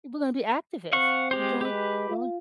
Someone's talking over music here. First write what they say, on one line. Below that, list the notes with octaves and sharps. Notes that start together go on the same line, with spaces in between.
we're gonna be activists, join join
C4 F5 F#5 C#6
G#3 G4 C5
G#3 G4 B4
F4